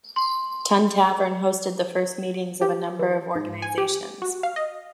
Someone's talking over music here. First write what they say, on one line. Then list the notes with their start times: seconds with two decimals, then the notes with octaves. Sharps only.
Tun Tavern hosted the first meetings of a number of organizations.
0.16 C6
2.62 G4
2.99 E3
3.35 G#2
3.62 G#5
3.78 G4
4.22 F#4
4.43 F5
4.56 D#5